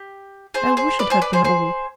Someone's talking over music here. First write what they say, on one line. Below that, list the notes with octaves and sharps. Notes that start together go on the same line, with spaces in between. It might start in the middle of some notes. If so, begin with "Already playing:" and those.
I wish it had been all.
Already playing: G4
G#4 C5
G#4 C5
B4 D5
G#4 C5
B4 D5
G#4 C5
G#4 C5